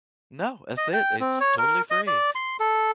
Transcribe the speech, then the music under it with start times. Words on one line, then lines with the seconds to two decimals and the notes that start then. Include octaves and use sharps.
No, that's it, it's totally free,
0.77 D#5
0.94 G5
1.20 C4
1.40 C#5
1.58 A#4
1.90 D#5
2.07 D5
2.35 C6
2.60 A4